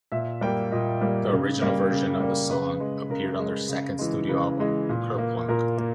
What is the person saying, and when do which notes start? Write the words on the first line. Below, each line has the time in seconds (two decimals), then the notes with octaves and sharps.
The original version of the song appeared on their second studio album, "Kerplunk".
0.12 A#2 E5
0.41 G3 A#3 G5
0.72 A#2 D#5
1.01 G3 A#3
1.32 C#3
1.61 G3 A#3
1.91 C#3
2.20 G3 A#3
2.51 C#3 B4
2.80 G#3
3.10 C#3 A#4
3.39 G#3
3.69 C#3
3.99 E3 G#3
4.29 C#3 B4
4.59 E3 G#3
4.89 A#2
5.18 A#3
5.48 A#2 A#4
5.78 A#3